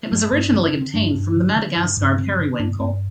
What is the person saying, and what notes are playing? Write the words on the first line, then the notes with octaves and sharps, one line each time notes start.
It was originally obtained from the Madagascar periwinkle.
G2 G3
G2 A3
D3 C4
D4
D3
C4
G2 D4
G2
D3
D3
G2
G2
D3 C4
D3
G2 D4
G2 C4